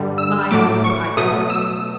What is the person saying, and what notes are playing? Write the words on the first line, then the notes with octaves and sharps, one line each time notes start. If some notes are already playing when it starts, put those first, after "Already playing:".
My, how her eyes sparkled!
Already playing: G2 D3 G3
E6
A2 F#3 A3 D6
C#6
B2 F#3 A3 D#6
E6